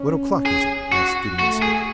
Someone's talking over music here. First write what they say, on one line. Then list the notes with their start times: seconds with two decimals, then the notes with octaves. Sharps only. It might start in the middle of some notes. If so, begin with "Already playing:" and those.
"What o'clock is it?" asked Gideon Spilett.
Already playing: C#4
0.46 G#4
0.92 F#4
1.39 A3 F#4
1.62 G#4